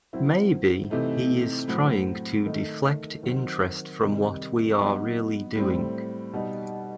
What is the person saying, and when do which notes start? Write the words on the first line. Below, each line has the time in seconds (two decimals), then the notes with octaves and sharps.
Maybe he is trying to deflect interest from what we are really doing.
0.13 F#3 C4 E4
0.90 C3 E3 A3 D#4
1.68 A2 F#3 C4
2.46 D#3 A3 D#4
3.23 D#3 F#3 C4
4.00 C3 D#3 G3 D#4
4.78 F#3 B3 D#4
5.56 A2 G3 C4
6.33 B2 G3 D#4